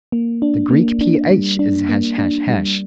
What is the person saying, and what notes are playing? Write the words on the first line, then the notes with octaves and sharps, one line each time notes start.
The Greek ph is ### .
A#3
D4
A#3
D4
G3
D4
A#3
D4
G3